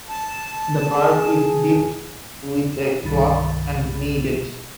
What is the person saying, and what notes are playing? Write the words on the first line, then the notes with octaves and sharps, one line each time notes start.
The curd is dipped with a cloth and kneaded.
A5
G#4
C2 G2 D#3 B5 A6